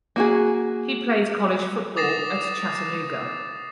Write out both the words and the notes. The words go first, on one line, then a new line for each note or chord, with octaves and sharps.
He played college football at Chattanooga.
A#3 F#4 G#4
D6 D#6 A6 A#6 C7 E7